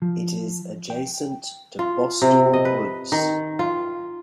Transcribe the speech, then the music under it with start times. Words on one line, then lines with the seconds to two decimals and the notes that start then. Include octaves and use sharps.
It is adjacent to Bostall Woods.
0.02 F3
0.90 G5
1.79 F4
2.22 C3
2.53 D#5
2.65 B4
3.12 D#3
3.59 F4